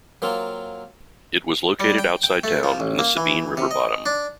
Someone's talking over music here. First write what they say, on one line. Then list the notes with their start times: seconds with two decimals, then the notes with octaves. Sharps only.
It was located outside town in the Sabine River bottom.
0.22 F#3 A#3 C4 F4
1.80 G3
1.99 G5
2.23 G5
2.44 A3
2.63 F3
2.80 A1
2.99 A#3
3.17 E3
3.57 C3
3.71 D#5
4.06 D4